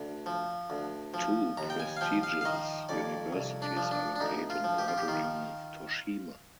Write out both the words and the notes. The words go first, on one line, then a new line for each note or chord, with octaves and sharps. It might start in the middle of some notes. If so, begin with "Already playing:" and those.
Two prestigious universities are located bordering Toshima.
Already playing: D2
F3
D2
F3
D#2 A#5
G5
G#5
F5
F3 G5
F5
F5
D#3 D#5
F2 D5
C2
D4
F3
D4
D4
D2 D#4
F4
F3
G4
F4
G4
D#3 F4